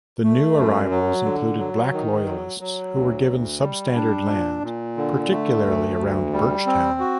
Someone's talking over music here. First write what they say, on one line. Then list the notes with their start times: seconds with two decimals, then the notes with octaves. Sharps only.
The new arrivals included Black Loyalists who were given substandard land, particularly around Birchtown.
0.23 A3
0.57 F#2
0.91 F#3
1.24 D3
1.59 F#3
1.93 D#3
2.26 F#3
2.61 F#3
2.94 D2
3.28 D2
3.62 G3
3.96 D4
4.29 A#2
4.63 A#2
4.97 D3
5.31 A3
5.65 D2
5.98 D2
6.33 G3
6.66 C4
7.00 F#4